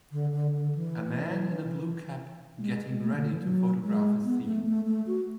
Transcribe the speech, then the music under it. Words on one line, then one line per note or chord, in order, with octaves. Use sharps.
A man in a blue cap getting ready to photograph a scene.
D3
D3
D3
E3
G#3
A3
D3
E3
F#3
G#3
B3
A3
A3
A3
F#4